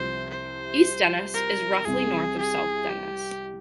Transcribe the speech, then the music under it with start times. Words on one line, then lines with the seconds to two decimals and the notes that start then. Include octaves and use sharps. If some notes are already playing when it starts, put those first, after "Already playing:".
East Dennis is roughly north of South Dennis.
Already playing: C2 C3 F3 C5
0.30 C5
1.34 A#4
1.85 C2 C3 G3 C4 G#4
2.38 G#4
2.90 G4